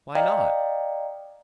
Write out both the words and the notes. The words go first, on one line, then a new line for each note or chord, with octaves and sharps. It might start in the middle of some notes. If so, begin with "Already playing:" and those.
"Why not?"
D5 D#5 F5 G5 A#5